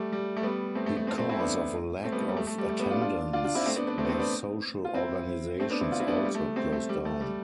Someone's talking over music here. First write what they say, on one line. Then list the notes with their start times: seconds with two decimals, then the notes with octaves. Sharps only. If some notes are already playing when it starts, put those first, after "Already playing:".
Because of a lack of attendance, the social organizations also closed down.
Already playing: G3 A3
0.12 G3
0.36 A3
0.43 G3 B3
0.75 A3 C4
0.86 A3
0.97 A3
1.07 A3 C4
1.18 A3 C4
1.29 C4 E4
1.40 B3 D4
2.04 A3 C4
2.12 G3 B3
2.20 A3
2.28 G3
2.37 A3
2.47 A3
2.58 G3
2.69 A3
2.79 G3 B3
2.90 D4 F4
3.01 D4 F4
3.33 D4 F4
3.44 D4 F4
3.55 C4 E4
3.61 D4
3.66 A3 C4
3.76 B3 D4
3.87 B3 D4
3.98 A3 C4
4.05 B3
4.09 A3 C4
4.19 B3 D4
4.85 F4
4.94 C4 E4
5.60 A3 C4
5.70 B3 D4
5.81 C4 E4
5.92 D4 F4
6.00 C4 E4
6.08 B3 D4
6.16 A3
6.25 G3
6.35 A3
6.56 A3 C4
6.72 A3
6.89 G3
7.05 A3
7.21 G3